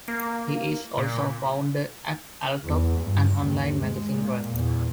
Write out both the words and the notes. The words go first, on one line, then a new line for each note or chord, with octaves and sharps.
He is also a founder at Alltop, an online magazine rack.
A#3
A#2
E2
G2
D#2
G#3
A#2
E2